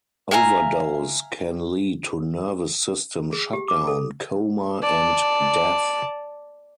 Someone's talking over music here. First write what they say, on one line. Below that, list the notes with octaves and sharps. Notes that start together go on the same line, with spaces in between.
Overdose can lead to nervous system shutdown, coma and death.
E5 F5 G#5 A#5
G#4
G4
D6
A4
D5 A5